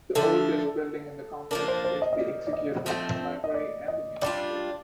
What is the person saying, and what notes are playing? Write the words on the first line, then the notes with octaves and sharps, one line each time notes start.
The oldest building in the complex is the Executive, Library and Museum Building.
D3 F3 A3 D4 A4
F3 A#3 D4 A#4
C5
C5
D#5
D#5
D5
D5
D#5
F3 A3 C4
D#5
D5
D#5
G3 D4 F4 D5